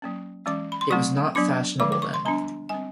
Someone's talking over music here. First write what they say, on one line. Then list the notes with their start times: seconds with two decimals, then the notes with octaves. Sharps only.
It was not fashionable then.
0.02 F#3 A#3 C#4
0.46 E3 G#3 C#4 D6
0.72 B5
0.81 C6
0.90 F#3 A3 C4 C#6
1.35 F#3 B3 D4 D6
1.80 D3 F3 G#3 D6
1.92 D6
2.02 C#6
2.14 C6
2.25 G3 B3 D4 A#5
2.69 G3 C4 G#5